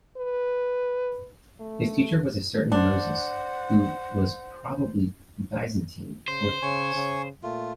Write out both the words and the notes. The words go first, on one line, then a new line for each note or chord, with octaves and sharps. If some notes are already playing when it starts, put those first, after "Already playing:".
His teacher was a certain Moses, who was probably Byzantine orthodox.
B4
A3
D4 C5 F#5
C#3 C5
C#3 C#5 G#5
C#3
A#2 A3 F4